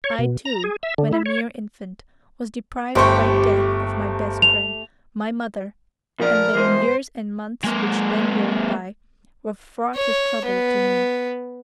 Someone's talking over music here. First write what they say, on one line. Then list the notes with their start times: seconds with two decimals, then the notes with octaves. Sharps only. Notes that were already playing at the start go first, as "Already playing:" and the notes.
I, too, when a mere infant, was deprived by death of my best friend--my mother--and the years and months which then rolled by were fraught with trouble to me.
0.04 C#5
0.18 B2
0.45 A#5
0.64 G#4
0.83 E5
0.98 D3
1.13 E4
1.26 C#5
2.95 G1 A3 G4 C5 C#6
4.42 F7
6.20 A#2 F3 A#4 D5
6.55 E3 G#3 C5
7.64 G#3 A#3
9.95 C#5
10.45 B3